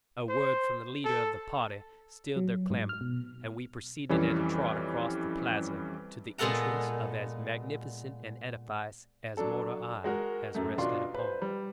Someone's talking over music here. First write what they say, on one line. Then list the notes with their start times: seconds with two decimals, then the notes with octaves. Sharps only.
A word from the leader of the party stilled their clamor, and we proceeded at a trot across the plaza to the entrance of as magnificent an edifice as mortal eye has rested upon.
0.29 C5
1.05 A4
2.36 F#3
2.70 G#2
2.89 F6
3.01 B2
4.09 F2 E3 G3 C#4
6.38 A#2 G#3 B3 A4 F#5 A#5
9.37 F#3 D4 A4
10.04 G#3 F#4 A#4
10.55 F#2 A3
10.78 B2 D4 F4 C6
11.14 B4 C5
11.42 G3